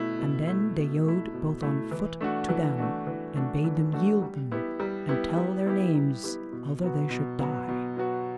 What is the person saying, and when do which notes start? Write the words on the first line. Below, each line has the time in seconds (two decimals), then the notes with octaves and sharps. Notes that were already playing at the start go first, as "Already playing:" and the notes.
And then they yode both on foot to them, and bade them yield them, and tell their names outher they should die.
Already playing: B2 A3 E4
0.19 B2
0.47 A3 E4
0.76 B2
1.05 A3 E4
1.34 B2
1.62 A3 E4
1.91 E3
2.20 A3 D4 F#4
2.49 E3
2.78 A3 D4 F#4
3.07 E3
3.36 A3 D4 F#4
3.64 E3
3.93 A3 D4 F#4
4.22 G3
4.51 B3 E4 G4
4.80 G3
5.09 B3 E4 G4
5.37 G3
5.66 B3 E4 G4
5.95 G3
6.24 B3 E4 G4
6.52 B2
6.82 F#3 B3 F#4
7.10 B2
7.39 F#3 B3 F#4
7.68 B2
7.97 F#3 B3 F#4